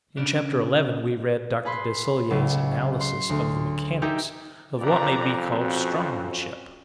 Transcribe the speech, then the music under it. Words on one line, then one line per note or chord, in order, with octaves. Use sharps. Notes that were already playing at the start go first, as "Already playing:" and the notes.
In Chapter Eleven we read Dr. Desaguliers' analysis of the mechanics of what may be called strongmanship.
C#3 D4
G#4 B4 B5 C6
C#2 F#3
C6
D2
D#4 G4 G#4 A#4 E5
F2 D5 A#5
C4 C#4 F#4